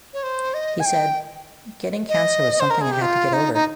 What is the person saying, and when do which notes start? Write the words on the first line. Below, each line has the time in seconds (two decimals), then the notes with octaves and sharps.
He said: Getting cancer was something I had to get over.
0.13 C#5
0.23 C5
0.54 D#5
0.80 G#5
0.85 G5
2.09 D#5
2.60 C5
2.70 A#4
2.81 G#4
2.92 G4
3.02 F4
3.33 D#4
3.54 D#4